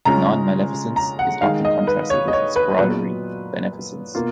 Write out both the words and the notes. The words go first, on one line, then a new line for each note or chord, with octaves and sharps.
Non-maleficence is often contrasted with its corollary, beneficence.
C#3 G#3 C#4 F4 A#5
A#5
F#5
D#3 G#3 D#4 F5
D#5
B4
C#5
D#5
C#5
B4
A#2 F#3 B3 F4 B4
B2 A#3 F4